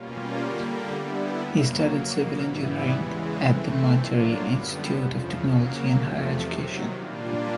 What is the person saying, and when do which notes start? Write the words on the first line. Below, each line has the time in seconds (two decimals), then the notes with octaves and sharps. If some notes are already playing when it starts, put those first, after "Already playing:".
He studied civil engineering at the Monterrey Institute of Technology and Higher Education.
Already playing: B2 G3 A#3 C#4 F4
0.41 D3 G3 A#3
0.91 D3 G3 B3 E4
1.41 F2 C#3 F#3 A#3
1.91 B2 F#3 A#3
2.41 G#2 E3 G3 B3 E4
2.91 E2 C#3 E3 G#3
3.42 E3 A3 C4
3.91 A2 F#3 A#3 D4 F4
4.41 F#2 D3 G3 B3
4.91 E2 C#3 F3
5.41 C#3 F#3 A#3
5.91 E2 C3 F3 A3
6.41 C3 D#3 F#3
6.91 A#2 G3 A#3 D4 F4